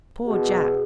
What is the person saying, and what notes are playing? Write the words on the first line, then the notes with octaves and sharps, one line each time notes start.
Poor Jack!
B2 G#4